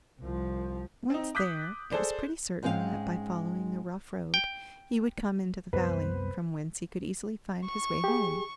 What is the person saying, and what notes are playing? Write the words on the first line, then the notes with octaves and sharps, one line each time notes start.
Once there, it was pretty certain that by following the rough road he would come into the valley, from whence he could easily find his way home.
C2 F3
C4 D#4
D6 D#6 F#6 G6 B6
G#4 A4 C5 D5
G#2 G#3 C4 C#4 F5
G5
C2 F#2 B3 B4 C5
C#6
G4 G#4